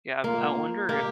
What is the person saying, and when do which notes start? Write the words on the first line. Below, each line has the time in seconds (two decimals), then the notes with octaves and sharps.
Yeah. I wonder if
0.24 A#3 F4
0.89 A#3 G4